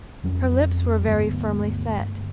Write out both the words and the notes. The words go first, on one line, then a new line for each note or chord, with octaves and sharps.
Her lips were very firmly set.
F2 F#3 C#4
D2 G2 G#3 B3